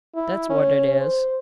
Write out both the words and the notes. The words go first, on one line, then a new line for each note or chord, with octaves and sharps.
That's what it is.'
E4
C#4
C5